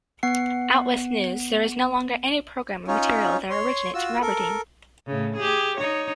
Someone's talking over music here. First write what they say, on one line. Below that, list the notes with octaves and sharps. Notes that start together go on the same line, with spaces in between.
Outwith news, there is no longer any programming material that originates from Aberdeen.
B3 F#5 C7
C#4 D#4 F4 C#5
C#5 C6
F4 F#4 E6
A4 A#4
A2 C#3
G4 G#4
D#4 C#5